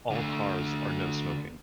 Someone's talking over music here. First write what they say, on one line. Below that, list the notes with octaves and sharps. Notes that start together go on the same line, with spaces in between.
All cars are no smoking.
D3 A3